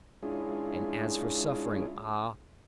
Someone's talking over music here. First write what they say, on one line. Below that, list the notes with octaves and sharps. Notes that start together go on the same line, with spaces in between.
And as for suffering--ah!
G#3 C#4 D4 E4 F4 G#4